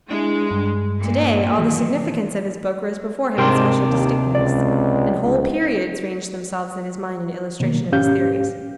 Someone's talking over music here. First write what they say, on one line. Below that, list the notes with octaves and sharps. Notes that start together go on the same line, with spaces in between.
Today all the significance of his book rose before him with special distinctness, and whole periods ranged themselves in his mind in illustration of his theories.
G#3 D4 E4
G2
A#2
D#3 E3 F#3
G#2 C3 D4 A#4 G5 C6
D#2
C#2 D5
C#2
B2 D#3 F#3 A#3
G#2 C#4 G4 F5 G6